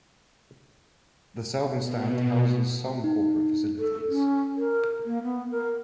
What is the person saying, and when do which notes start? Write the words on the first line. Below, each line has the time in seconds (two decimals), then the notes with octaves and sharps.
The Southern Stand houses some corporate facilities.
1.75 B2
3.04 D#4
3.78 A4
4.09 C#4
4.57 A#4
5.06 A#3
5.23 B3
5.51 A#4